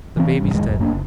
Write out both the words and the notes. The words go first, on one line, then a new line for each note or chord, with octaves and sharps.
The baby's dead.'
E3 C4
A1 G2
A1 E2 D#3 G#3
E1 F#2
F#2 A#3 D4
F#1